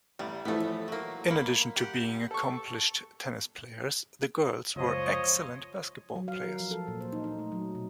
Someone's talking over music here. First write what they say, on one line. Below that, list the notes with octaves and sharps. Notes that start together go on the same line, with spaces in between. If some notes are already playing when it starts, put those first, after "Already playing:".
In addition to being accomplished tennis players, the girls were excellent basketball players.
A1 G3
A2 E3 F3 A3 B3
F#3 A#3
A#3 B5
G4 F#5
A4 C#6
F#1 C#2 F3 C5 C#5 D#5
F#3
F5
A#4
F3
A4
A#2
C5
D#4
D#4
A3
F#3
B2